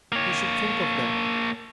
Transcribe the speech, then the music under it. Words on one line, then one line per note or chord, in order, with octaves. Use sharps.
He should think of them.
A#3 C#5